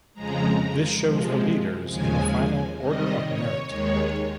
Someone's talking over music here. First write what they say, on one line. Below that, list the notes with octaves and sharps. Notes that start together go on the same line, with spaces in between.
This shows the leaders in the final Order of Merit.
F2 C#3 F3 G#3 A#5
C3 F3 G#3
D#2 C#3 F3 G#3 G#5
C3 D#3 G3 D#5
C#5
D#2 D#3 G#3 C#5